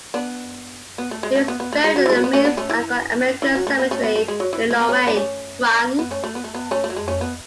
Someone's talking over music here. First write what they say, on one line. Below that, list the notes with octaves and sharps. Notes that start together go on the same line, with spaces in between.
He was buried at the Meuse-Argonne American Cemetery in Lorraine, France.
B3 D4
B3
A3
G#3
A3
B3
B3
A3
G#3
F#3
E3
G#3
F#3
B3
A3 C#4
B3 D4
A3 C#4
E3
E3
F#3
A3
B3
A3 C#4
B3
A3
G#3
F#3
E3
A3
B3
A3 C#4
B3 D4
A3 C#4
B3
A3 C#4
A3
B3
A3
B3
A3 C#4
A3
F#3
G#3
A3 C#4
B3